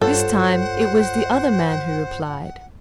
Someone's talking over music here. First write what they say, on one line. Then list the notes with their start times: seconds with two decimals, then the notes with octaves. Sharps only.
This time it was the other man who replied.
0.01 G2 F4 A4 C5 C#5 F#5